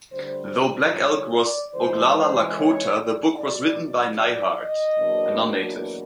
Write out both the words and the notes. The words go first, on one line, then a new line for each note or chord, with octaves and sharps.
Though Black Elk was Oglala Lakota, the book was written by Neihardt, a non-Native.
D2 D3 G3 C5
C5
C#5
D5
C#3 E3 G#3 C5
C5
C#5
D5
E2 B2 F#3 D5
D5
D#5
E2 B2 F#3 A#3 D4